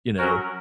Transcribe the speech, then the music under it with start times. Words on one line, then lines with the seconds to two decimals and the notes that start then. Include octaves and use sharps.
you know,
0.18 F#3 C#4 F#4 A#4